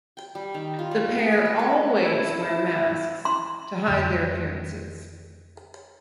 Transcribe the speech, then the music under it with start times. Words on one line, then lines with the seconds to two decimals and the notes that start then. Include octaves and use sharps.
The pair always wear masks to hide their appearances.
0.17 G5
0.35 G3
0.54 D#3
0.79 F4
0.91 G3
1.18 G#4
1.32 B4
1.46 A4
1.59 A4
2.03 E4
3.25 C6
3.88 F2 D3